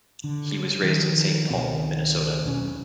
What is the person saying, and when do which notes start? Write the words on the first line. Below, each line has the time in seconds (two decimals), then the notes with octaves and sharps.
He was raised in Saint Paul, Minnesota.
0.24 D3
0.83 D#3 F3
1.50 C#2 B2 D#3 C4
2.45 E1 B1 C4 C#4